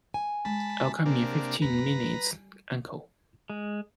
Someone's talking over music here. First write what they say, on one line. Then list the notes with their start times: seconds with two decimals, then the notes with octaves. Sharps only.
I'll come in fifteen minutes, uncle.
0.14 G#5
0.45 G#3 A5 B5
1.06 C3 A#3 D4
1.62 F1 D#2 B4 A#5
1.78 G2
2.02 G3
3.50 G#3